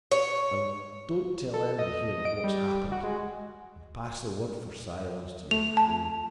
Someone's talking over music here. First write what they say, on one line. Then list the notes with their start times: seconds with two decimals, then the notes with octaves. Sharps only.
And--don't tell anybody here of what's happened, and pass the word for silence to your crew.
0.11 C#5
1.54 A4
1.79 D#5
2.25 D7
2.44 G3
2.92 F#4
3.04 G#3
5.51 A3 F7
5.77 A5